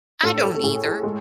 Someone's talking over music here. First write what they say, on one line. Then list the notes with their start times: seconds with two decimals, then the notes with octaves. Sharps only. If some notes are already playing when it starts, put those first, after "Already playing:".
I don't either.
0.23 A2 A4
0.44 A4
0.54 A4
0.63 A2 G#4
0.84 A4
1.03 G#3